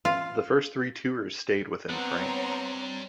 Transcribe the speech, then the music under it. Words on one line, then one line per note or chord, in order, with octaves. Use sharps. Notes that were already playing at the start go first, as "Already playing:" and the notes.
The first three Tours stayed within France.
F4
G3 B3 C4 D4 C#5 F#5 A#5 C6